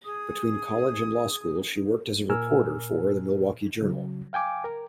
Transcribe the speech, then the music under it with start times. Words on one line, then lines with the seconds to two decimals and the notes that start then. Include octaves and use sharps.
Between college and law school she worked as a reporter for "The Milwaukee Journal".
0.05 G#4 D#6
2.29 A#2 A#4 G#5 E6 F6
3.82 C#3 F#3
4.33 F5 G5 G#5 D6
4.64 A#4